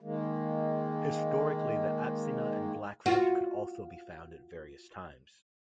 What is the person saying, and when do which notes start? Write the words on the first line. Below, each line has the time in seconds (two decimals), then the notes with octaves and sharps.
Historically the Atsina and Blackfoot could also be found at various times.
0.01 D#3 G#3 A#3
3.06 F4 F#4